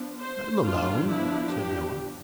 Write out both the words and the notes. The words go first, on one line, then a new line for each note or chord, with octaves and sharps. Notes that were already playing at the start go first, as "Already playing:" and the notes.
'Let him alone!' said Noah.
Already playing: F3 B3 D4
C5
F3 B3 D4 F4
E4
G4